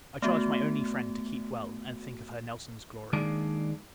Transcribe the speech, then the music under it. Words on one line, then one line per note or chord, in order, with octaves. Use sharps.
I charge my only friend to keep well, and think of her Nelson's glory.
A3 B3 F#4
D#3 G#3 A#3 D4 D5